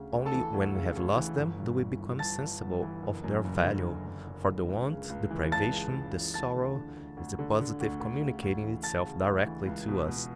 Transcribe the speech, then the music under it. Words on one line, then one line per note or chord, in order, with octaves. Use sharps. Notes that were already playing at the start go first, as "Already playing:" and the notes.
Only when we have lost them do we become sensible of their value; for the want, the privation, the sorrow, is the positive, communicating itself directly to us.
Already playing: D2 C#3
D2
A4 A5
E3
D2
C#3
D2
E3
G1
G2
G1
E3
G1 A5 A6
G2
G1
E3
F#1
F#2
F#1
D3
F#1
F#2
F#1
D3
C#2
C#3
C#2
E3
C#2 A5 A6
C#3
C#2
E3
D2 A5 A6
D3
D3
D2
D2
D3
D3
D2
D2
C#3
D2
E3
D2 A5 A6
C#3
D2
E3
C#2
B2
B2